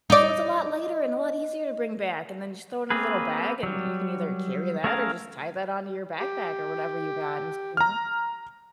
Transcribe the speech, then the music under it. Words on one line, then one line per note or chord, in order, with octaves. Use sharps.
so it's a lot lighter and a lot easier to bring back, and then just throw it in a little bag, and you can either carry that or just tie that onto your backpack or whatever you got and s you know?
D#4 D5
A#3 C4 G#4 B4
F#3 G3
A3 C#4 G#4 A#4 F5
G4
A#5 F6